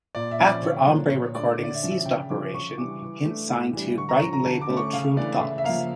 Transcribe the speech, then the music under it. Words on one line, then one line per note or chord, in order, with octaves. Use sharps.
After Hombre Recordings ceased operation, Hint signed to Brighton label Tru Thoughts.
A#2 D5
E5
F3 C#4
D5
D3 C#5
F3 A#3 D4
A#2 C#5
A3 D4 D5
D3
D5
E5
F3 C#4
E5
C#3 G5
F3 C#4 D6
C#3 C#6
E3 G3 D4 D6
E3
A3 D4
A2
E3 G3 D4
D3 C#6
A#5
F3 C#4 C#6
A#5
D3 A5
D6
A3 C#4
C#6
C#3 F5
E3 A3 D4 D5
C#3 E5
E5
F3 A#3 F5